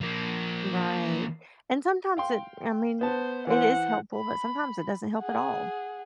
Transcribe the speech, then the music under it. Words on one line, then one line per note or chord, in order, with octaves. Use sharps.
Right, and sometimes it I mean, it is helpful, but sometimes it doesn't help at all.
F3 A#3
F5 G5 C6
B3 C5 A5
E3 C5 F#5
B5
G#4 F#5